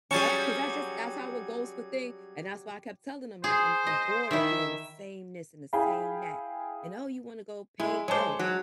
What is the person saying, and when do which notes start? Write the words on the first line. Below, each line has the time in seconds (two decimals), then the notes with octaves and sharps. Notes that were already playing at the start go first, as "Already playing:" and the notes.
Yep, 'cause that just that's how it goes for thing, and that's why I kept telling them, like, "I'm I'm bored of doing the same this and the same that," and, "Oh, you wanna go paint?" "No.
0.11 F#3 G3 C#4 G#4 A5 C#6
3.44 G#4 C5
3.87 D#5
4.31 D#3 E4 E5
4.47 E5
5.73 E4 G#4 F5 G5 G#5 B5
7.80 G#3 E4
8.08 G#3 C5 C#5 A5 D6
8.39 F#3